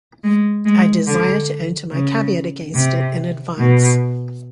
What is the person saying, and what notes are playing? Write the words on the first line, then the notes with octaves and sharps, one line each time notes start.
I desire to enter my caveat against it in advance.
G#3
G#3
D3
C#3
C3
B2